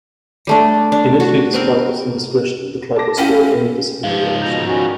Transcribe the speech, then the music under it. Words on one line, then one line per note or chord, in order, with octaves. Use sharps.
Initially despite this indiscretion, the club was spared any disciplinary action.
G3 A3 D4
D4
F#4
B3 C4 A#4
A5 D6 A#6
C#4 E4 F4 G4
G#2 F3 F5
B2 A#5 G6
D#3 G3 C#4 F#4